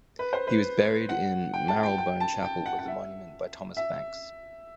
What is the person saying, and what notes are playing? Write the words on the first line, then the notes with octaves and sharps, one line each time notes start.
He was buried in Marylebone Chapel with a monument by Thomas Banks.
B4
C5
B4
F#5
G5
A5
G5
G5
A5
G5
F#5
F#5
E5
E5